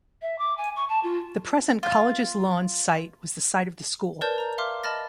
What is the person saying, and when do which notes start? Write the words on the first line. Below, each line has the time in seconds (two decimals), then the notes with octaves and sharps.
The present College's Lawns Site was the site of the school.
0.22 E5
0.38 D6
0.57 G#5
0.76 C#6
0.89 A5
1.03 F4
1.83 F4
4.21 A#4 B4 C#5 D5 A5 G6
4.38 A#5
4.58 E5 F5 C6 D6 F6
4.84 D#5 A5 B5 F6 A6 A#6